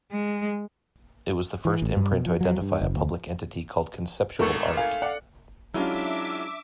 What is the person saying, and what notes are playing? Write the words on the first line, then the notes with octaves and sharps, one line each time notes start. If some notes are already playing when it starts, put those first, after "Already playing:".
It was the first imprint to identify a public entity called Conceptual Art.
G#3
E3
A1
G2
B2
F3
F#3
G2
F#1
D2
G#1 A3 A4 A#4 C#6
F5 G#5
D5 F#5
F#3 G#3 C#4 D4 E4 F4 E5 D6